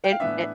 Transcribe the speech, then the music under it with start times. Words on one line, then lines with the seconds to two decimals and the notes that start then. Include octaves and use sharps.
And an
0.04 G5
0.12 F5
0.20 A2 E3 B3 D4 E5